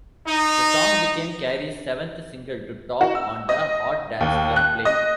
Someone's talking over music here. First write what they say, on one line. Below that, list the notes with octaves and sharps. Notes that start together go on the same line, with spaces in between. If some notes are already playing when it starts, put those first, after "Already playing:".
The song became Carey's seventh single to top on the Hot Dance Club Play.
D#4
F#4
E6
D#5
D#2
F#6
D#5